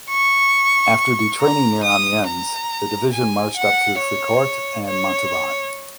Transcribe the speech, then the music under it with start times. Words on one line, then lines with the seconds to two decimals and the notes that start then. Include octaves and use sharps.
After detraining near Amiens the division marched up through Fricourt and Montauban.
0.10 C#6
1.39 A#5
1.83 D#6
2.27 A#5
3.13 G#5
3.57 F#5
3.99 C#5
4.86 C#5